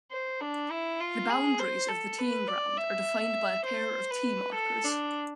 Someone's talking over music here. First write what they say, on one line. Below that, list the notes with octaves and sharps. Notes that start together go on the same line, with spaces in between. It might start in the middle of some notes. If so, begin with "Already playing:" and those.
The boundaries of the teeing ground are defined by a pair of tee markers.
C5
D4
E4
F4
G#4
C5
A4
B4
D5
E5
C5
B4
A4
D4